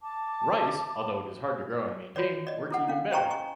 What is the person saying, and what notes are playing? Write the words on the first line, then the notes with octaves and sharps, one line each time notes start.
Rice, although it is hard to grow and maintain, works even better.
A5 D6
F4 F#4 C#5 D5
D5 D#5
E4 A4 F#5
C#4 F5
C5 D#5 G5 G#5 A#5 C#6
D#5 G#5 C#6